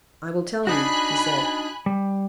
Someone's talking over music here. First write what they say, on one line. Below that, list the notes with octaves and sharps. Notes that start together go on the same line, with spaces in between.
"I will tell you," she said.
D4 D#4 F#4 G#5 B5 F#6
G3